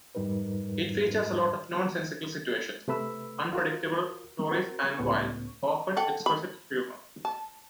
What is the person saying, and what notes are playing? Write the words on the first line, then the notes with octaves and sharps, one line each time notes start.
It features a lot of nonsensical situations, unpredictable stories and wild, often explicit humour.
F2 G#2 G3 D#4 A#4 B4
C3 A3 B4 B5 E6
F4 F#4 A#4
C4 F#4 A#4
C#2 A2 B3 C#4 C#6
A4 F#5 G5
B5
A5